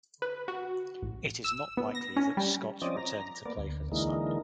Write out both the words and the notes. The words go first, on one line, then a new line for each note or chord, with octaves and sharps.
It is not likely that Scott returned to play for the side.
B4
F#4
A1
E6
B3
A#6
C#4
G3
F3 C4 C#4 D5 D#5
A#5
A#3 B3 D5
D2
D3 E3 G#3 A#3 D#4